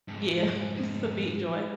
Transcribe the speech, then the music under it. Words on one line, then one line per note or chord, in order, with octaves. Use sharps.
Yeah, just, a big joy.
F2 G#2